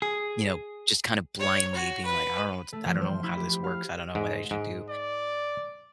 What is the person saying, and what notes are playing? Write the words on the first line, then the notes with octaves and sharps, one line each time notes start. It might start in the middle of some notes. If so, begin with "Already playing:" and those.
you know, just kind of blindly being like, "I don't know what I don't know how this works. I don't know what I should do
G#4
C#5
F#4
B4
A3
F3
C5
E4
G4
F5
G#2
G#2
D5